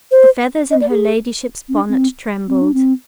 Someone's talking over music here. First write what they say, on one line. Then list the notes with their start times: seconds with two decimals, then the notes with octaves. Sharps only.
The feathers in her ladyship's bonnet trembled.
0.11 C5
0.71 D#5
0.81 D5
0.90 G#4
1.69 C4
1.74 D4
1.89 C4
2.48 C4
2.62 D4
2.74 C4